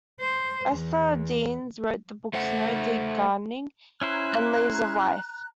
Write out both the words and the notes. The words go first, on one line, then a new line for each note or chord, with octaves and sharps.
Esther Deans wrote the books "No-Dig Gardening" and "Leaves of Life".
C5
E2
A3 C5 F#5
C#4 E4 C5 A#5 F#6